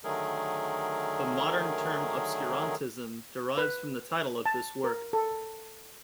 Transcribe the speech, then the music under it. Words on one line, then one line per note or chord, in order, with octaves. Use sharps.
The modern term obscurantism derives from the title of this work.
D3 D#3 F#3 A3 G#4 A#4
B4
A5
A#4
A4